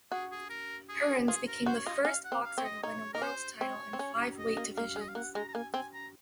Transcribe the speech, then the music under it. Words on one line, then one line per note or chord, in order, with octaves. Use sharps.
Hearns became the first boxer to win a world title in five weight divisions.
F#4 G#4
G#4
A#4
G#4
F4 G#4
A#4
F#4 C5
C#5
F4 D#5
C#4 F5
F#5
C4
F5
C4 C#5
D#5
D#4 C#5
D#4 A#4
C#4 C5
C4 C#5
C4
C#4
D#5
A#3
A#3 F5
G#3
D#5
F5
A#3 F#5
G#3 A#5
A#5
A#3 G#5
C4 G#5
A#5